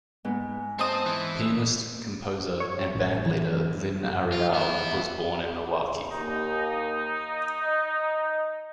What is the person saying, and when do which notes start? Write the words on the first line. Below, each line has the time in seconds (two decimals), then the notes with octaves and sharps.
Pianist, composer, and bandleader Lynne Arriale was born in Milwaukee.
0.25 G#2 B3
0.79 C4 C5 D#5 A5 D#6
1.06 E3
2.60 C#5
2.94 A1
3.26 E3
4.32 F4
4.53 B3 E4
6.10 D#2 D#4
7.60 D#5